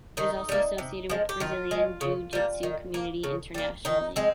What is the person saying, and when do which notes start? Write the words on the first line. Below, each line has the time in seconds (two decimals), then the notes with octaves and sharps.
It is also associated with the Brazilian jiu jitsu community internationally.
0.17 D#3 D#4
0.49 G3 A#3
0.78 C3
1.10 F3 G#3
1.29 G4
1.40 D#3 F4
1.71 G#3
2.01 C#3
2.33 G3 A#3
2.63 D#3
2.94 A#3
3.24 C#3
3.54 G3 A#3
3.85 D#3 D#4
4.16 G#3 C4